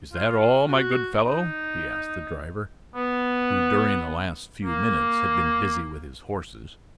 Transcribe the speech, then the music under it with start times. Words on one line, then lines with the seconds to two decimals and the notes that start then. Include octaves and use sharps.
"Is that all, my good fellow?" he asked the driver, who during the last few minutes had been busy with his horses.
0.13 F4
0.68 F#4
1.25 D#4
2.95 B3
4.65 A#3